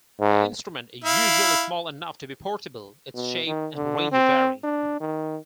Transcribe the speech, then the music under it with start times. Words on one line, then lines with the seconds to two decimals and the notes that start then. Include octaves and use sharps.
The instrument is usually small enough to be portable; its shape and range vary.
0.20 G#2
1.04 E4 F5
3.14 B2
3.47 D#3
3.76 D3
4.12 C4
4.63 D4
5.00 D#3